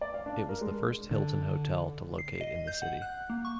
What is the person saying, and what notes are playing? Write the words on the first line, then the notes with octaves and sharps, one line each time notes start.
It was the first Hilton hotel to locate in the city.
D5
F5
D4
A#4
G#3
D3
C7
D#5
G6
F#5
F#6
A#3
C#6